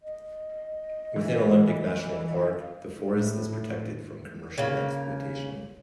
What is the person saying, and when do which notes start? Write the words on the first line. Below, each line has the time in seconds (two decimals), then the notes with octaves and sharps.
Within Olympic National Park, the forest is protected from commercial exploitation.
0.01 D#5
1.16 E3
2.60 F5
3.12 A2
4.58 C#3 A#3